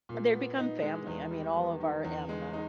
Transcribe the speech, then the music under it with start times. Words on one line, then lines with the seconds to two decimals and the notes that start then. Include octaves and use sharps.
They're become family. I mean, all of our animals,
0.09 A#2
0.34 B3
0.58 D#4
0.82 G#3
1.07 E2
1.31 G3
1.56 B3
1.80 D#3
2.05 E2
2.29 G#3
2.53 D#4